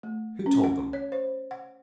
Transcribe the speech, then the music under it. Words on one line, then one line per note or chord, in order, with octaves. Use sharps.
"Who told them?"
A3
C#4
F#5
C#5
C5
F#5